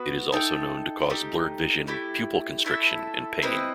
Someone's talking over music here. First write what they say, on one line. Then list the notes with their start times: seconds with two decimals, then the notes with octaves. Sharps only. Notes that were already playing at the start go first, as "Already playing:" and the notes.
It is also known to cause blurred vision, pupil constriction and pain.
Already playing: B3 F#4 B4
0.32 D#4 A4 E5 G5
1.10 A3 D#4 G4
1.87 A3 E4 G4
2.64 A3 E4 A4 E5
3.42 C4 E4 B4 D#5